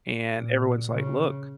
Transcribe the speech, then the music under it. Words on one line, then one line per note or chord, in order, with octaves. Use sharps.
and everyone's like, "Look,
A#2
C#3